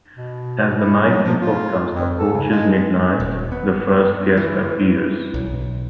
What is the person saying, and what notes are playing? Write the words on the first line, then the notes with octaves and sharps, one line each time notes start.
As the nightly broadcast approaches midnight, the first guest appears.
B2
E4
F#3
F3
F4
F2
A4
C#3
G#3
D#1
B3
E3
B1